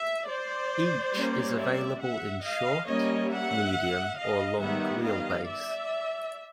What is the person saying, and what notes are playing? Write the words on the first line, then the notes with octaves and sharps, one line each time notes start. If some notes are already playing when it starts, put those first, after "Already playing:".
Each is available in short, medium or long wheelbase.
Already playing: E5
C5 D5
G3 A#3 C#4
D5 E5
E5 F#5
D#5 F5
G3 A#3 C#4 C#5 D#5
E5 F#5
D#5 F5
D#3 G3 B3 E5 F#5
D#5 F5
D5 E5